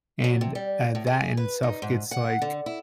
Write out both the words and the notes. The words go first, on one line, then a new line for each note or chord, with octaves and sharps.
And, uh, that in itself gets, like,
F#3
C3
G3
A2
G#4
B4
D#4
G#2
F#5
D3
E4